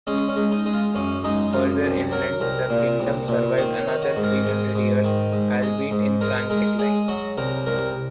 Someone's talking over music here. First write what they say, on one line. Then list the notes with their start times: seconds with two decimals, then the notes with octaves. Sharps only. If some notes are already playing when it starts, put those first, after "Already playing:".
Further inland, the kingdom survived another three hundred years, albeit in frank decline.
0.07 G#3 C#4
0.29 C#4
0.36 G#3
0.52 D#4
0.66 G#3
0.73 F4
0.95 F#2 C#4
1.24 G#3 D#4
1.53 F#2 F4
1.83 C2
2.11 F#3 A#4
2.40 C2 A#4
2.70 A#2
2.99 C2
3.28 A#2
3.58 D#3 C5
3.79 C#5
3.87 D#3
4.02 F#4
4.16 G#2
4.24 A#4
4.45 G#3
4.75 G#2
5.04 D#3
5.33 G#2
5.62 G#3
5.91 G#2
6.21 G#3 A#4
6.50 G#3 A#4
6.79 G#3 G#4
7.08 F#3 F#4
7.37 C2 A#4
7.66 C2 A#4